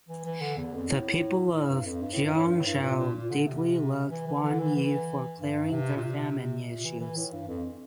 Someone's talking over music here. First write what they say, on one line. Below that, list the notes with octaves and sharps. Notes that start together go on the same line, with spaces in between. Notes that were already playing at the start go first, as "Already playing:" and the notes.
The people of Jiangzhou deeply loved Huan Yi for clearing their famine issues.
E3
E3
D3
E2
F2
A2
A2
G2
F2
G2
A2
G2
A2
G2
A2
G2
A#2
A#2
A#2
D3
C3
E3
E3
D3
E3
E3
G2
C3
A#2
C3
A#2
E3
E3
A2
G2
F2